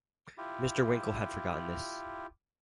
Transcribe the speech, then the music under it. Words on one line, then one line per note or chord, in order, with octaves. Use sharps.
Mr. Winkle had forgotten this.
E4 F4 G4